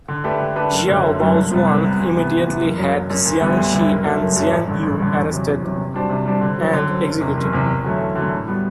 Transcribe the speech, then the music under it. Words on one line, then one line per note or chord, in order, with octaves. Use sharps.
Xiao Baojuan immediately had Jiang Shi and Jiang You arrested and executed.
D3
A3 D4 G4 B4
D3
A3 D4 G4 B4
F#1
F#2 D3 F#3 A3
F#1
F#2 D3 F#3 A3
C2
C3 G3 B3
C2
C3 G3 B3
D2
C3 E3 B3
D2
C3 E3 B3
F#1
F#2 F#3
F#1
F#2 F#3
D2
D3 G3 B3 E4
D2
D3 G3 B3 E4
F#1
F#2 F#3 A3
F#1
F#2 F#3 A3
A1
G2 D3
A1
G2 D3
E2
C3 F#3
E2
C3 F#3
C3
G3 D4 F#4 C5
C3
G3 D4 F#4 C5
D3
F#3 C4
D3
F#3 C4
F#1
E2 C3
F#1
E2 C3
E2
D3 F#3 A3
E2
D3 F#3 A3
A2
G3 B3 F#4